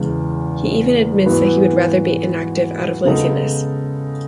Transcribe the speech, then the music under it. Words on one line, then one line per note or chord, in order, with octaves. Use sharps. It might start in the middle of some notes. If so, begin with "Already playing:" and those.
He even admits that he would rather be inactive out of laziness.
Already playing: E2 C#3 G#3
G#2 E3 B3 F#4 B4
C#3 G#3 B3 D#4 A4